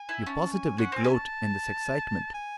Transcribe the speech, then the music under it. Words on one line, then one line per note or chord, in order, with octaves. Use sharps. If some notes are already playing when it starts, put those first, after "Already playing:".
You positively gloat in this excitement.
Already playing: G#5
E4
C#4 A5
G#5
C#4 F#5
C4 G#5
C#4
A5
G#5